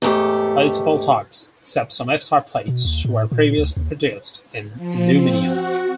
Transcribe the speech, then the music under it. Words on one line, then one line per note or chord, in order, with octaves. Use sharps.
Plates of all types, except some F-type plates, were previously produced in aluminium.
E2 G#2 A3 G4
B2
D#2
A2
A#2
D2
D#2
F3
C4
F#4